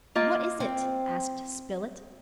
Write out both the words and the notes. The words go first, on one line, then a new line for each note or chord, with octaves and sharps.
"What is it?" asked Spilett.
A#3 F4 D#5
C4